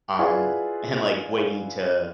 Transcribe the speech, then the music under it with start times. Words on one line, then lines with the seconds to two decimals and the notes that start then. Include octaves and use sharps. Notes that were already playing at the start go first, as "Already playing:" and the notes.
um, and like, waiting to
0.19 E4 F4 G#4 B4 D5 F#5